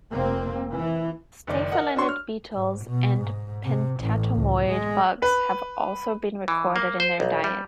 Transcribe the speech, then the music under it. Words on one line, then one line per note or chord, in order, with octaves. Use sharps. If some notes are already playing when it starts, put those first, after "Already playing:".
Stayphylinid beetles and pentatomid bugs have also been recorded in their diet.
F1 A#3 C4
E3
F#1 D#3 D5
A#4 D#5 F#5
D4 F#4 C#5 C6 C#6
F6
G#2
B2
G#2
C3
A1
C#2
G#3
B4
E3
A#3
C5
B1
G3